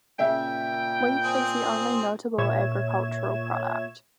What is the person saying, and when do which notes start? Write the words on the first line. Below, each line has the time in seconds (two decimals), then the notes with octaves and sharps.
Wheat is the only notable agricultural product.
0.19 A#2 C#3 E5 G5
1.24 C4 G#4 C5
2.38 A#2 C#5 E5 G#6 E7